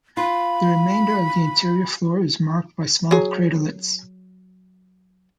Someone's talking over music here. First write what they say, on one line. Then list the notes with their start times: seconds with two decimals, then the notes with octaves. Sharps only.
The remainder of the interior floor is marked by small craterlets.
0.17 F4 B5
3.11 F#3 G#4